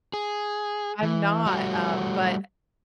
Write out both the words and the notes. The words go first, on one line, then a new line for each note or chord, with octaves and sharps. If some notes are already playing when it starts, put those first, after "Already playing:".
I'm not, um, but, eh,
G#4
E3
G3 A3 F#4